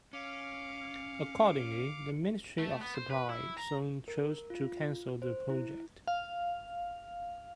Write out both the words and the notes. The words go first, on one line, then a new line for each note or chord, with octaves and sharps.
Accordingly, the Ministry of Supply soon chose to cancel the project.
C#4 F5 D6 C#7
A3
B3
C5
B4
E4
A#5
A#4
F4
C5
E4
F5